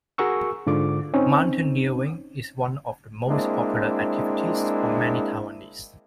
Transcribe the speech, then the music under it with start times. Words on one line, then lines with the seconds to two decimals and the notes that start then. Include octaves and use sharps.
Mountaineering is one of the most popular activities for many Taiwanese.
0.18 F#4 G#4 A#4 F#5 C#6 E6
0.67 G#2 D3 F4 D6
1.14 C4 C#4 D#4
3.27 G#3 A#3 C4 D4 E4